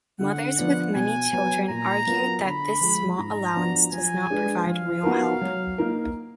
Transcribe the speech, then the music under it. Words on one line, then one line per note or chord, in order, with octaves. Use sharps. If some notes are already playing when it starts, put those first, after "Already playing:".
Mothers with many children argued that this small allowance does not provide real help.
D3 F#5
F3 B3 D4
B2 G#5
F#3 B3
A#2 A#5
F#3 B3 F4 A#4
D3 B5
F3 G#3
G#2 A#5
F3 B3 D4 F#4
F3 G#5
G#3 D4 G#4 B4
F3 F5
B3 D#4 F#4 A#4
F#3
A#3 D#4 A#4